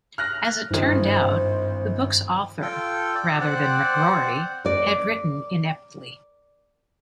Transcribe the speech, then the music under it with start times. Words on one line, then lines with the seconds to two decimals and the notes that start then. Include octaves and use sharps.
As it turned out, the book's author, rather than McGrory, had written ineptly.
0.18 F6 F#6 A#6
0.71 G#1 G2 E3 C5
2.62 F4 A4 G5
3.15 D5
3.41 C4 C5 D5 F#5
4.65 A#4 D5